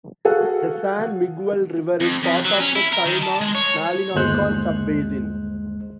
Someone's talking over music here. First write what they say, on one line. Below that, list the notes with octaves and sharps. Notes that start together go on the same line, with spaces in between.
The San Miguel River is part of the Chalma-Malinalco sub-basin.
F#4 G#4 A4 F5 F#5
F2
F2
F#3
C#4
E4
A#4
D#3
A5
G#3
C#5
G1 D#2 G#3 C5 F#6